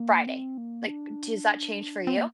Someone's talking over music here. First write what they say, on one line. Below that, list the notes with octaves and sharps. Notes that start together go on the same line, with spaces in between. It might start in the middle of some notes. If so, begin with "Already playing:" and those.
Friday." Like, does that change for you?
Already playing: A#3
C4
A#3
D4
C4
A#3